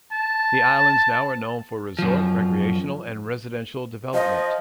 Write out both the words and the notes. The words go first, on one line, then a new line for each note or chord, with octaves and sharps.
The islands now are known for resort, recreational, and residential development.
A5
F#2 F3
F3 D#5